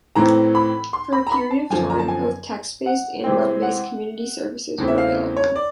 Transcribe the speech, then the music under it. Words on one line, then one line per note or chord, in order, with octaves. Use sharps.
For a period of time, both text-based and web-based community services were available.
A2 E3 A3 C4 A#5
B5
C6
B5
A#5
B5
A5
F#2 D3 F3 G#5
A#5
A5
G#5
F#5
C3 E3 G#3 C4 G5
F#5
E2 C#3 E3 A3 C4
E5
F5
C#5
D5